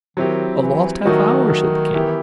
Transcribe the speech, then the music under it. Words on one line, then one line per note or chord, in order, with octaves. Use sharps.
"A lost half-hour?" said the King.
D#3 F#3 C4 E4 G4
E3
D#3 F#3 A3 D#4 F#4
E3 B3 E4 G4